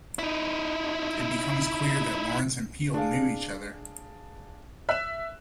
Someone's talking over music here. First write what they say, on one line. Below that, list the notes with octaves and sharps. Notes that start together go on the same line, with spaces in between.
It becomes clear that Lawrence and Peale knew each other.
D#4 E4
D4 G#4 F5
E5 F#6 E7